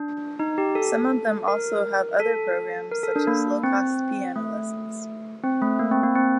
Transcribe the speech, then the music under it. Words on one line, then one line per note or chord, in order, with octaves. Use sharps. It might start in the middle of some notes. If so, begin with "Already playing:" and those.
Some of them also have other programs, such as low cost piano lessons.
Already playing: D4
D#4
G4
A4
A#4
A4
A#4
A4
D4
A#3
C4
A3
C4
A3
A#3
C4
A#3
C4